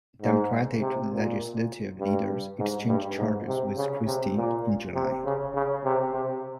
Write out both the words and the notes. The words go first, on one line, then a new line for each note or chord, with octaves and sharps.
Democratic legislative leaders exchanged charges with Christie in July.
G#2
C3
A#2
G2
G#2
G2
G#2
C3
C#3
C3
A#2
C3
C#3
C#3
C3
C3